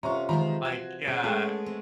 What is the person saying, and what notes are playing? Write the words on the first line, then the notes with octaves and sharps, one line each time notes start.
like, uh,
C3 B3 C#4 F4 A4 A#5 C#6
D#3 F3 G#3 C5 A#5 B5
F#4 G#6
C#4 G#4
G#3 A3 B3 G#4 A4
C4